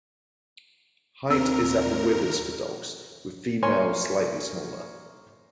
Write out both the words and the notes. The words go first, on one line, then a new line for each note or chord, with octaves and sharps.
Height is at the withers for dogs, with females slightly smaller.
D#2 C4 A#4 E6
A#3 C#5 G#5 C6